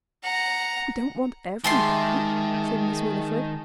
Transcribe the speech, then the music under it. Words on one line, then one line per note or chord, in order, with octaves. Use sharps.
"We don't want everybody," said Miss Winifred.
F#5 A#5
D#3 G#3 G4 E5 G#5 A5 C6 A6